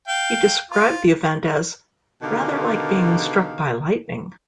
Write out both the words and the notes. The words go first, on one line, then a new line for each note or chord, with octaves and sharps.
He described the event as "rather like being struck by lightning".
F5 G5
F4
B2 D3 D#3 G4 A#4 F5